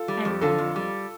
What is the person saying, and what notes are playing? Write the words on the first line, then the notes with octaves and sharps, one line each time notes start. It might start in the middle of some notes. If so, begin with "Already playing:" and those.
And then,
Already playing: F4 A4
G3
F2
D3 F4 A4
F2
G3